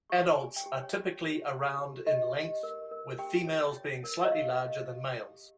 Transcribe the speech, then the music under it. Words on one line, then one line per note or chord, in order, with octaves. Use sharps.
Adults are typically around in length, with females being slightly larger than males.
G4 C#6
G4 G#5
G5
G4
C#5
G4
G4
G4
G4
G4 D#5
G4
A#4
A#4
G4 G5
C#5
C#5
A#4
D#5
G4 F5
G4
G4
G4